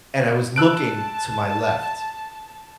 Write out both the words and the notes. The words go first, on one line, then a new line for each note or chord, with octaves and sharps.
and I was looking to my left
A5 E6 F#6 D7